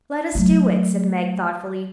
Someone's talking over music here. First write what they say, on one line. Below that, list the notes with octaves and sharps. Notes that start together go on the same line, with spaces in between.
"Let us do it," said Meg thoughtfully.
F#3 A3